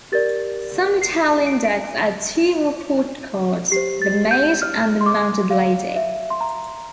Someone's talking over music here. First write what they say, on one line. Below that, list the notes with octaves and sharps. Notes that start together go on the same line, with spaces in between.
Some Italian decks add two more court cards: the maid and the mounted lady.
G4 A#4 D5 A6
C7
D7
D7
G4 C5 C7
A6
G6
F6
C6
D6
F5
E5
C6
A#5